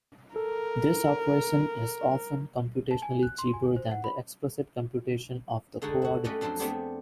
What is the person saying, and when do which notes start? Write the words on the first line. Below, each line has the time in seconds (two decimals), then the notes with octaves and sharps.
This operation is often computationally cheaper than the explicit computation of the coordinates.
0.36 A4 A#4
2.91 A5
3.02 G#5
3.23 F#6
3.38 C6
3.53 G#5
3.76 C5
3.91 F#5
4.04 B5
5.82 D3 G#3 D#4 F#4 G#4 A4
6.02 E4 F#4
6.24 G3 A3 C#4 B4 D5 D#5
6.41 F2 F#3 D4 A4 C5 C6
6.59 A3 B3 C4 D4 G4 G#4